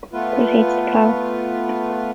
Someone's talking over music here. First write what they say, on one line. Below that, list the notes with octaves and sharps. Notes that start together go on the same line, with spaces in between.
But it hates the plow!
A3 B3 F4 B4